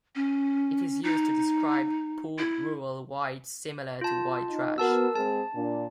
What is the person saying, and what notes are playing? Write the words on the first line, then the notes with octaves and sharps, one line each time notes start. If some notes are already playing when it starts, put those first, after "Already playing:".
It is used to describe poor rural whites similar to white trash.
C#4
D#4
E4
F4 A5
D#4
B3 F#4 A#4 A5 E6
G#3 C4 G#4 A5
A#2 D4